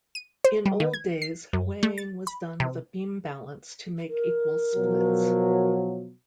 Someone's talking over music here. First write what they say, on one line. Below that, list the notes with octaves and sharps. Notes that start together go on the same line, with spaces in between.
In old days, weighing was done with a beam balance to make equal splits.
D#7
C5
G3
D#3
G#6
C7
F#2
A3
A6
B5
C3
A#4
B2 F3 F#3